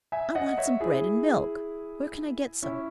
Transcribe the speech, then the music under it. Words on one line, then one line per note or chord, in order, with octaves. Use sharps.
"I want some bread and milk. Where can I get some?"
E5 G#5
D#5 F#5
C#5 E5
E4 G#4
C#4 E4